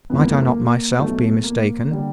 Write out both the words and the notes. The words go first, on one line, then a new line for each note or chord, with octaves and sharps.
Might I not myself be mistaken?
F2 C#3 E3 G#3 B3
A#3
A3
A#3
B1 B2 F#3 A3
A#3
D3 G3